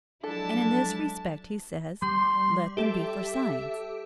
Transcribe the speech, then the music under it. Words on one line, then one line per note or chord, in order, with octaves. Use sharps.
And in this respect he says: "Let them be for signs."
F3 F#3 G#3 D4 E4 A4 A5
G3 C6
G4 A4 E5